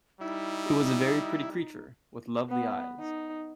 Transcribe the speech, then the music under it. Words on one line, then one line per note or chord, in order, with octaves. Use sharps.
It was a very pretty creature, with lovely eyes.
G3 D#4 E4
B3
D#4